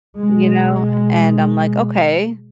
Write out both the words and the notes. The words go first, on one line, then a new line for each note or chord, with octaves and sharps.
You know, and I'm like, "Okay,
B2 G#3